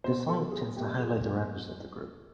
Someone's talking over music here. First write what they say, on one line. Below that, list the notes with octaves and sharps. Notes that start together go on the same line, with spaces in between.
The song intends to highlight the rappers of the group.
B2 C5
A4
F#3
G#4
B2 G4
G#4
F#3